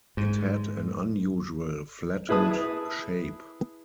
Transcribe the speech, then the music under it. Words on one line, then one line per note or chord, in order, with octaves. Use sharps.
It had an unusual, flattened shape.
G#2
E4 G#4 B4 A5 D#6